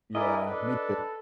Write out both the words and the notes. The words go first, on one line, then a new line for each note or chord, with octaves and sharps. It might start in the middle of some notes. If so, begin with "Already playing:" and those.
Yeah, me too.
E4 G#4 A#4 D5 D#5
D4 A4 B4